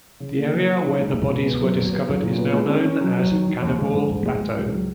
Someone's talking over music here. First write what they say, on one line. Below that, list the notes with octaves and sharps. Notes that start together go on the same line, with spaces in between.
The area where the bodies were discovered is now known as Cannibal Plateau.
C#3
A#3
F#3
F#3
D#4
G#3
G#3
B2
B3
F#3
B3
B3
F#3
A#2
B3
G#3
C#4
C#4
F#3
F#3
D#3
D#3
D#2
G#3
G#2
G#2
G#3
G#3
C#2
F#3